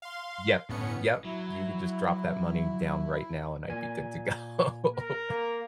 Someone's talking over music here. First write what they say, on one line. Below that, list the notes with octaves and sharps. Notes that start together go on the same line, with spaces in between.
yep, yep, "you could just drop that money down right now, and I'd be good to go."
F5 C6
G1 A2 B3 C#4 C#7
F#3 E4
A#2 G#5
A#4
A#3